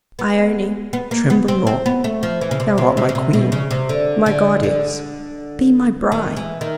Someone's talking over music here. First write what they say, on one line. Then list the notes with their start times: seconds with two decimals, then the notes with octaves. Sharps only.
Ione, tremble not, thou art my queen--my goddess--be my bride!
0.19 B3
0.93 B3
1.11 A#3
1.30 B3
1.48 C4
1.67 C4
1.86 B3
2.04 A3
2.23 F3
2.41 E3
2.51 C#3
2.60 C3
2.78 C3
2.97 C3
3.09 C#3
3.15 C3
3.33 B2
3.52 C#3
3.71 C3
3.89 D3
4.26 D3
4.63 D3
6.12 D#3
6.37 E3
6.61 D#3